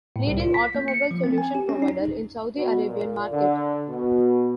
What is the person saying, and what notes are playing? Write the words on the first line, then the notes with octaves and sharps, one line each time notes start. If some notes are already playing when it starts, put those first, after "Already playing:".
Leading automobile solution provider in Saudi Arabian market.
A2
C2
F4
B6
A#3
C#7
F3
C4
G#5
G4
C#4
D#4
B2
A#2
D3
B2